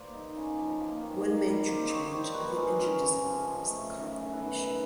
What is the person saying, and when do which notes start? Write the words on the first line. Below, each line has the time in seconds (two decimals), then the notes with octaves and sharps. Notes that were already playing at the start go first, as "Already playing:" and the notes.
One major change of the engine design was the carburetion.
Already playing: G3 A#3 C5 D5
0.14 D#4
0.36 C#3
0.58 F3
0.80 A#3
1.02 D#3
1.24 D#3
1.46 G3
1.68 A#3 C5 D5
1.90 D#3 C#5 D#5
2.12 D#3 C5 D5
2.34 G3 B4 C#5
2.56 G#3 A#4 C5
2.78 C#4
3.01 C#3
3.22 F3
3.44 F3
3.66 A3
3.88 F#2
4.10 C#3
4.32 B3 A4 B4
4.55 D#4